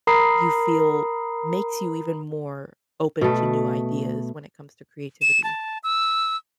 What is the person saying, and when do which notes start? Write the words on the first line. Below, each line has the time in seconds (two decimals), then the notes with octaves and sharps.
you feel makes you even more open to new ideas when it comes to creativity?
0.07 A#4 A#5 B5 D#6 C7
3.21 B2 A3
5.22 E7
5.44 A5
5.84 E6